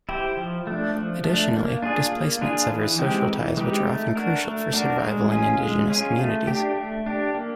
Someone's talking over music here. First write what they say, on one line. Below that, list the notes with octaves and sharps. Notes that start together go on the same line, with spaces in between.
Additionally, displacement severs social ties which are often crucial for survival in indigenous communities.
E4 G4 C5
F3
A3 D4
F3
A3 D4
A#3
D4 F4 G#4
A#3
D4 F4 G#4
E3
G#3 C4 D#4 G4
E3
G#3 C4 D#4 G4
A3
D4 F#4 A#4
A3
D4 F#4 A#4
G#3
C#4 F4 G#4
G#3
C#4 F4 G#4
A3
D4 G4
A3
D4 G4
A#3